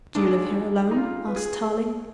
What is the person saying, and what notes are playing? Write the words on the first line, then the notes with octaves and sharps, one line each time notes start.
"Do you live here alone?" asked Tarling.
D#2 D#3 G#3 D4
D#4
F4
B4
G#4